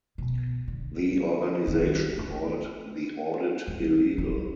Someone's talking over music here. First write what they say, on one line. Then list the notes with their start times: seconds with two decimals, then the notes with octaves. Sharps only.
The organisation called the audit illegal.
0.18 B2
0.68 D3
1.67 D#3
2.18 A3
3.68 G3
4.18 G3